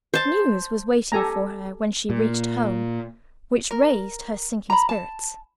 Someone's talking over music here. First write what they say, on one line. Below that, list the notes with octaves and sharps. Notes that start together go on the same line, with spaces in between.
News was waiting for her when she reached home, which raised her sinking spirits.
C5 A5
G4 A4 G#5 A#5
A#2
A#4
A#5 B5
A5